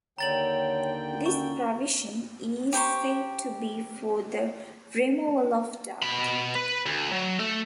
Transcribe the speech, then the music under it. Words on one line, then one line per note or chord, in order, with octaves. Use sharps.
This provision is said to be for the removal of doubt.
D#2 D3 C#5 G5 A#5 A6 F#7
C#4 C#6
G4 C5 A#5 C#6
B2 B5
B4
D2
F#3
A3 A4